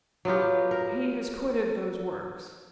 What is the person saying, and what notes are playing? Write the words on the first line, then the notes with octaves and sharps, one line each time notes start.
'He has quitted those works.
F#3 B3 F4 G4
A#4